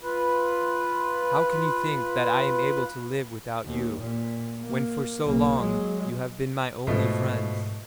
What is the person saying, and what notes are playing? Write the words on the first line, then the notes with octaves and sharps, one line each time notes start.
'How can you think that I am able to live without you, when for so long you have been my only friends?
F4 B4
D#2
A#2
A#3
B1 A#3
F#3 G#3
G#2 B2 F3 A3